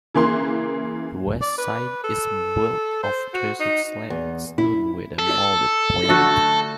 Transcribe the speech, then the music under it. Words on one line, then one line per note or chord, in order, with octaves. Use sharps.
The west side is built of dressed slate stone with a moulded plinth.
C#3 E3 A#3 C6
D5
B4
A4
C5
F#4
D#4
E2
E4
A4
D3 A3 F#4